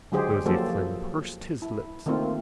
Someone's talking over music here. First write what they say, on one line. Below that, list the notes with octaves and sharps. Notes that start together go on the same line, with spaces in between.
Nosey Flynn pursed his lips.
D3 F#3 G#3 G4 G#4 C5
F3 F#3 A#3 G4 A4 C5
E4
D#3 A3 A#3 C4 F4